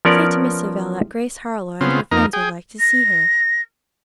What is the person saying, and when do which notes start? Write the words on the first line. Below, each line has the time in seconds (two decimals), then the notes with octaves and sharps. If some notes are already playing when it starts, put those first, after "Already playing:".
"Say to Miss Savell that Grace Harlowe and her friends would like to see her."
0.05 F3 B3 C#4 A#4 C#5 D5
1.81 C#3 B3 C4 F4
2.11 F2 A#3 D#4 A#4
2.33 G#4 G5
2.79 A#6